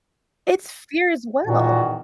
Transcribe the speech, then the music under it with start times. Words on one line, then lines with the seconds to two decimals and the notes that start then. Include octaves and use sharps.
It's fear as well.
1.47 E2 A#2 D#3 F#4